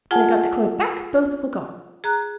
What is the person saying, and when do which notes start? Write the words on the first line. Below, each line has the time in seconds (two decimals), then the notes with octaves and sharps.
When I got the cloak back both were gone.
0.11 F4 G#4 F#5 G#5 A5
2.04 G#4 A#5 F#6